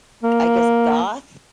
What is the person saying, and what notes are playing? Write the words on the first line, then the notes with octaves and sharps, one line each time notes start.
k I guess, goth,
A#3